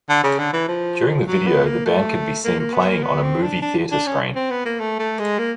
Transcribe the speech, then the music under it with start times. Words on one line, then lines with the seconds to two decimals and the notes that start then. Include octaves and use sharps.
During the video, the band can be seen playing on a movie theater screen.
0.09 D3
0.24 C#3
0.39 D3
0.53 E3
0.68 F3
1.27 F#3
1.47 B3
1.66 A#3
1.85 A3
2.44 A#3
2.59 A#3
2.74 B3
2.88 A#3
3.03 B3
3.23 C4
3.43 D4
3.62 D4
3.92 D4
4.07 C#4
4.35 C4
4.50 B3
4.65 A#3
4.80 A3
4.99 A3
5.19 G#3
5.39 A#3